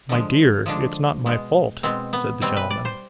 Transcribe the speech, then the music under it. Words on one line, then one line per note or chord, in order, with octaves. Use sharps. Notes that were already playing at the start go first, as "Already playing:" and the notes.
'My dear, it's not my fault,' said the gentleman.
D3 F3 G#3
D3 F3 G#3 D4
B2 G#3
B2 G#3 C4
B3
B2 G3 C4
B4
D5
C5